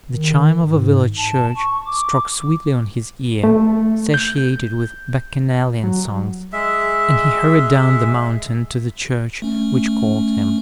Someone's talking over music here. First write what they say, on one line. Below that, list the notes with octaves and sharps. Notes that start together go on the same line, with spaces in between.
The chime of a village church struck sweetly on his ear, satiated with Bacchanalian songs; and he hurried down the mountain to the church which called him.
D#3
G#2
A5
C#6
D6
A3
G6
F#3
G#3 E5
A3 C#4